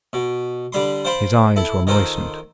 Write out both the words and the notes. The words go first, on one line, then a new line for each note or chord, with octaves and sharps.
His eyes were moistened.
B2
D3 G3 B5 C6
C5 F5 G5 A5 B5 C6
E4 A4
D#3 D#4 F4 A4 C5